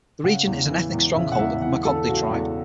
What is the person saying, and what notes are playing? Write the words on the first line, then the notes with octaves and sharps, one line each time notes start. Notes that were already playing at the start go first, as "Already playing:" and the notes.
The region is an ethnic stronghold of the Makonde tribe.
C#3 F#5
E2
E3
E2
C#3 E5
F#5
E2 E5
E3 F#5
E2 A4
C#3 F#4
E2